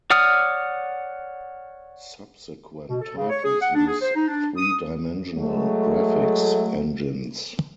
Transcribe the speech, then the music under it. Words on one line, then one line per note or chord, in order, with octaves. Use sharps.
Subsequent titles use three-dimensional graphics engines.
C#5 D5 F#5 D#6 F6
B2
A4
C#3
C#5
G#4
F#5
D4
G#4
C5
D#4
D4
D#6
F#3 G#3 A3